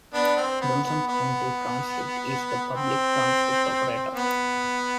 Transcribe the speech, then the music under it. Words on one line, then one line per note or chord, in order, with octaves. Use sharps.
Johnson County Transit is the public transit operator.
B3 D4
C4
B3
B3
B3
C4
B3